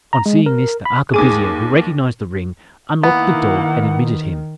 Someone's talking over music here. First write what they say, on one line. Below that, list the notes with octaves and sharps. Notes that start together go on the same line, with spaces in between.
On seeing this, the arquebusier, who recognised the ring, unlocked the door, and admitted him.
A#5
G#3
A#4
B5
D#2 G#4 D6 D#7
D#3 A#3 B3 E4 F#5